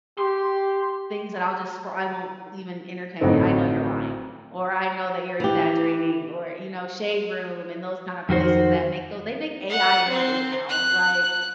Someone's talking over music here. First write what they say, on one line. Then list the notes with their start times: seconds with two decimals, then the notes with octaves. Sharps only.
things that I'll just scr I won't l even entertain it, "I know you're lying," or, "I know that you're exaggerating," or, you know, shade room and those kinda places that make tho they make AI images now, like,
0.18 G4 C6
3.21 A1 D3 F#3 C4 D#4
5.40 E3 G4
8.29 F2 D#3 F#4 C5
9.70 F#5
10.09 C4
10.69 F#6